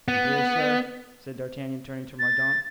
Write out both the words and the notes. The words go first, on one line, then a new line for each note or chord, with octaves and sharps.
"You hear, sir," said D'Artagnan, turning to Mordaunt.
B3
A6